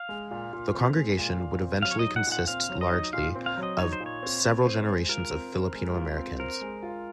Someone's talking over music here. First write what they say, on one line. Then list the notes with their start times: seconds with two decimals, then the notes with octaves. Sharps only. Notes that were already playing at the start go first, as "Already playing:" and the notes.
The congregation would eventually consist largely of several generations of Filipino Americans.
Already playing: F5
0.09 G#3
0.31 A#2
0.53 A#2
0.75 C4
0.96 G#3
1.18 A#2
1.40 A#2
1.61 C4
1.82 F#3 F5
1.91 C#5
1.99 D#5
2.05 D#4
2.16 F#5
2.27 A#2
2.32 F#5
2.48 C4 F5
2.69 F#3
2.81 D#5
2.91 D#4
3.13 A#2 F5
3.35 C4
3.46 F5
3.57 F#3
3.63 D#5
3.79 D#4 C#5
3.93 C5
4.00 A#2
4.06 C#5
4.23 C4
4.44 C4
4.66 C5
4.87 G#3
5.09 F4 A#4
5.31 C4
5.53 C5
5.75 G#3
5.95 F4
6.17 C4
6.39 A#4 C5
6.61 G#3
6.83 F4